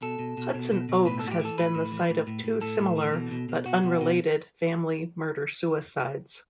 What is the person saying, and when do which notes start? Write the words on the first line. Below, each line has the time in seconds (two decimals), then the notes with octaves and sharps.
Hudson Oaks has been the site of two similar but unrelated family murder-suicides.
0.02 B2 A4
0.19 B2
0.37 B2
0.54 B2
0.71 B2
0.89 B2
1.05 A2 B4
1.19 A4
1.24 A2 F#4
1.31 G4
1.41 E3 A4
1.58 A2 B4
1.75 A2
1.92 E3
2.10 A2
2.27 A2
2.44 A2
2.61 A2 A4
2.80 A2
2.97 E3
3.14 B2
3.31 B2
3.49 B2
3.66 B2 F#4
3.83 B2
4.01 B2